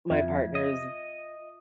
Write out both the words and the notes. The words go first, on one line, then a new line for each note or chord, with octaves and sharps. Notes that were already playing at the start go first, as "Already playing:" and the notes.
My partner's
F2 F4 E5 G#6
D#5